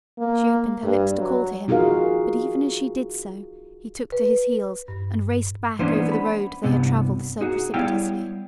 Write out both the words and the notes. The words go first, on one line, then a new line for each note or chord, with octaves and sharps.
She opened her lips to call to him, but even as she did so he took to his heels and raced back over the road they had traveled so precipitously.
A#3
G2
F#3
D#4 F4 F#4 G#4 A#4 F5
B4
G2
E3 A#3 B3 C#4 D4 C5
B5
C2 G2 C3 B3
D#4 F#4 G#4
G3 B3 E4 C#5 F5 G5